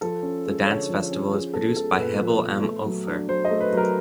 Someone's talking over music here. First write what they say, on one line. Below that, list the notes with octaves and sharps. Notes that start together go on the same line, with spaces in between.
The dance festival is produced by Hebbel am Ufer.
F3 A4
C#4
G#3
D3 C#5
F3
C#4
F3 G#4
B3 A4
G#3 A4
A#2 B4
F3
B3
A3
F#3
D4
F#3 C5
D#5
A3
B4
F#3 A#4